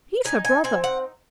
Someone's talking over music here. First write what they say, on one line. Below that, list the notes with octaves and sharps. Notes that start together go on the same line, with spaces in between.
He's her brother.
D#4 G#5
G#5
C4 G#5
F#5